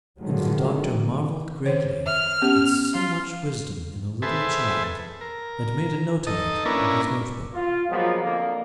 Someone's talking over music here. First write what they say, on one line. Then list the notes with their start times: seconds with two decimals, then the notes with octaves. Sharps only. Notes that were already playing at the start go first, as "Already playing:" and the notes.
And the doctor marvelled greatly at so much wisdom in a little child, and made a note of it in his note-book.
0.18 D3 D#3 F3 F#3 G#3
1.66 D#3 C5 C#5
2.06 E5 F6
2.42 B3 C#4 G4
2.94 F4
4.22 G#4 A4 B4 C5 E5
5.21 A#4
6.27 D#4 A4 D#5
6.65 A#3 C#4 D4 E4 A#4 B4
7.53 F4
7.90 F3 F#3 G#3 A#3 B3
8.22 F2 D3 A#3